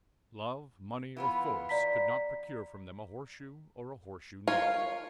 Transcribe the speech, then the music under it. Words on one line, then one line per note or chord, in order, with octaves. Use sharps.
Love, money, or force could not procure from them a horseshoe or a horseshoe nail.
E3 B3 F4
D5 A#5 B6
F4 A#4 C#5 F5